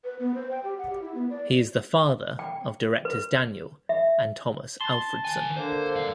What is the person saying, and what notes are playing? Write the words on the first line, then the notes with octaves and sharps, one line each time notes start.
He is the father of directors Daniel and Tomas Alfredson.
B4
B3
C5
G5
G4
F#5
G4
E4
B3
D5
G5
B4
E5
A5 C6
D#3 G#5
D3 A#3 D4 C5
G2 F5